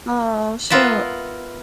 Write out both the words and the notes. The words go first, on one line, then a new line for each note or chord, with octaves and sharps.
Aw, shoot.
B3 F4 A#4 E5